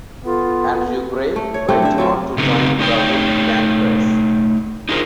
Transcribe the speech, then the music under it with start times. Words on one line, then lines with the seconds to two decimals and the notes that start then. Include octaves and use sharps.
Andrew Gray went on to join The Wolfgang Press.
0.25 B3 F4 A4
1.36 A3
1.54 C#5
1.69 A3 C4 E4 G4
1.82 D3 E5
1.98 F#3 F4 E5
2.38 C#3 A3 B3 C4 D#4
2.79 A3 D#4 C#5 G5
4.89 D#4 F4 G#4 A#4 C5